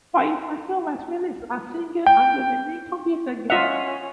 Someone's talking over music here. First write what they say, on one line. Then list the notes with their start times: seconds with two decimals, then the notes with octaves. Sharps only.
"Firecracker" was released as a single under the name "Computer Game".
2.06 G5
3.50 C#4 F4 D#5 E5 F#5 F7